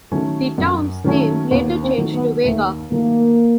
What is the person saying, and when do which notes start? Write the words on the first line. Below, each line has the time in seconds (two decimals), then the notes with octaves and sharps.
The town's name later changed to Vega.
0.11 D#3 F#3 A3 C#4
0.58 F#2
1.04 D#3 F#3 A3 C#4
1.51 D#2 B3
1.83 C4
1.98 D#3 F#3 A3
2.13 B3
2.44 D#2 A3
2.91 D#3 F#3 A3 A#3